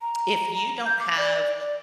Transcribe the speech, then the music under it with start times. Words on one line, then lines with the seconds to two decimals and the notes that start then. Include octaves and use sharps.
If you don't have
0.01 A#5
0.55 A#5
0.85 G6
0.99 D6
1.17 D5
1.60 D5